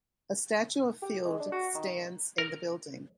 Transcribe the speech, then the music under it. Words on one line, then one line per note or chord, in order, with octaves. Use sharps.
A statue of Field stands in the building.
G4
G#3
D4
F#4
D#3
A#4